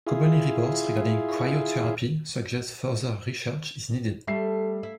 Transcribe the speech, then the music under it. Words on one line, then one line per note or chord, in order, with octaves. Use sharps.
Commonly reports regarding cryotherapy suggest further research is needed.
E4 F4 G#4
G3 A3 E5 C7
E4